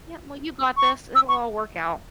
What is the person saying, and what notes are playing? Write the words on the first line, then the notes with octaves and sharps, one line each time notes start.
Yep. Well, you got this. It'll all work out.
C#6
E6
C#6